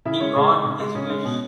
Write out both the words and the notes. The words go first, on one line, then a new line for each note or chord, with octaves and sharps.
He got his wish.
C#3 E4 E5
G#3 C#4 C#5
C#3 G#3 G#4
G#3 D#4
C#3
G#3
C#3 C#4
G#3
B2